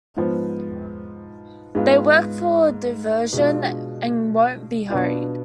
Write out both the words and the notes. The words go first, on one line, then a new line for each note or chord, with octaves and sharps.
They work for diversion and won't be hurried.
G#2 F3 B3
G#2 G#3 B3 F4
B2 G#3 D4 F4
B2 B3 D4 F4